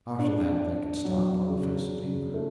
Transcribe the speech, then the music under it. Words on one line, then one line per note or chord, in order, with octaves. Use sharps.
After that they could start by the first steamer.
D4
D4
F#3
C#3
C#3
A3